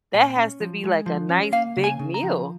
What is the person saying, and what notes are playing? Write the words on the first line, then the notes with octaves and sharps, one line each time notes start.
that has to be, like, a nice big meal.
A#2 G#5
C#4
F3
G#3
F3
C#4
A#3 F5
C#3
G#5
C#3
A#5
F3